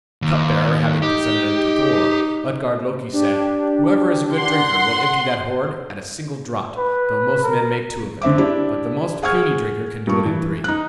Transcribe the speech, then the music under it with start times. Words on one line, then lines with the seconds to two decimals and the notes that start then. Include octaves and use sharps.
The cupbearer having presented it to Thor, Utgard-Loki said, "Whoever is a good drinker will empty that horn at a single draught, though most men make two of it, but the most puny drinker can do it in three."
0.22 D#2
1.02 D#4 G4
3.13 D4 G4
4.35 F#5 C6
6.77 B4
7.43 A#4
8.22 D3 C4 E5 D6
8.38 D4 E4 G4
9.22 G#4 F#5 C#6 F6 G#6
10.07 G2 C#6
10.26 E3
10.64 D#4 F#6